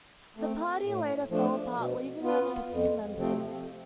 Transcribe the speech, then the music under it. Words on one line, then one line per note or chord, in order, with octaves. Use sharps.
The Party later fell apart leaving only a few members.
A3 C4
A2
F3 A3 D4
B2
B3 F4 B4
F2
C3 F3 A3 C4